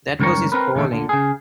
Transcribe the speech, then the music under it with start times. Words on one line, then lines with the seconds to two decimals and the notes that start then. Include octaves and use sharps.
That was his calling.
0.20 C#2 F#2 D#3 G3 A#4 C#5
0.52 C4 A#4 B4
0.75 A#2 D3 D#3 A3
0.90 A#2 D3
1.09 C#3 G#4